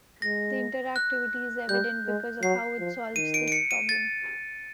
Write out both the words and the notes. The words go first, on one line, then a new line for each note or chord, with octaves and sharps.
The interactivity is evident because of how it solves this problem.
G#3 A#6
F#6
G3 G6
G#3
F#3 C7
F3
D#3 D#7
D7
D7
C#7
D#7
A6